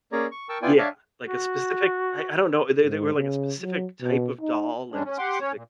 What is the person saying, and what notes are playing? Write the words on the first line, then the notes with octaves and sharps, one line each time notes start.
Yeah. Like, a specific I I don't know, uh, they they were, like, a specific type of doll, like, a specific
A#3 C#4 G#4 C#5 D5 A#5
C#6
A#4 G5 A5 C#6 E6
B3 E4 F4 D5 G5 G#5
D4 C#5 D5 E5 F5 A5
F#4
G#2
C#3
F#3
B2
D#4
E2 G2 G3 G#3 C#4 D4
C#4
G4 F#5 C6 D6
C#4 C#5
A#2